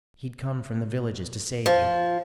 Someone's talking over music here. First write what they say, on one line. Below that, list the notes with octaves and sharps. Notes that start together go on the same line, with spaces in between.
He'd come from the villages to save you.
F3